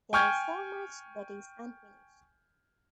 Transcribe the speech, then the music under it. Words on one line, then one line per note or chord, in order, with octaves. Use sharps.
There is so much that is unfinished.
G5 G#5 C#6 F6 G6 G#6